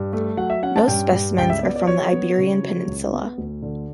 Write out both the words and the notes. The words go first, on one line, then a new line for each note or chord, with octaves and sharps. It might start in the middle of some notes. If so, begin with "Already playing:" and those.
Most specimens are from the Iberian Peninsula.
Already playing: G2
A3
F#3 F#5
E5
C#4 F#5
A5
G2 G5
G2
C#2 G5
E5
B3 D5
D5
F#3 C#5
B3
C#3
F#3
C#2
B3
D2
D3